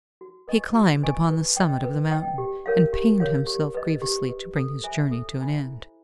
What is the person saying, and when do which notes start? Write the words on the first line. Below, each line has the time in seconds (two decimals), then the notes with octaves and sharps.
He climbed upon the summit of the mountain, and pained himself grievously to bring his journey to an end.
0.21 F#4
0.48 B4 D#5 G#5 C#6
0.75 F#4
1.02 B4 D#5 G#5 C#6
1.30 B4
1.57 D#5 G5
1.84 B4
2.11 D#5 G5
2.38 G4
2.66 A#4 C#5 F5
2.93 G4
3.20 A#4 C#5 F5
3.47 G4
3.75 B4 D#5
4.02 G4
4.29 B4 D#5
4.56 A4
4.83 C5 E5 G#5 B5
5.11 A4
5.38 C5 E5 G#5 B5
5.65 E4